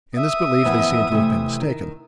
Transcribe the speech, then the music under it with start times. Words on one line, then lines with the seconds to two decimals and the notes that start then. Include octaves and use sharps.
In this belief they seem to have been mistaken.
0.16 E5 D#6
0.64 F2 E3 B3
1.12 C3 E3 A3
1.62 D#3